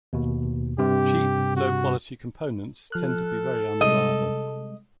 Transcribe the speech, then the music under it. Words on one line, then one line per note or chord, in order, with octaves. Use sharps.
Cheap low quality components tend to be very unreliable.
D#2 B2
G2 C3 G4
F#4
F3 A4 F6 F#6
C3 G3 G#3 D#5